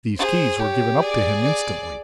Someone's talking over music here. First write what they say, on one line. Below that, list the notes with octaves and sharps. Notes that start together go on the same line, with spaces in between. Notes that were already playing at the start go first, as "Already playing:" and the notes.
These keys were given up to him instantly.
G#4 C5
G4 C#5
G#4 D5
D5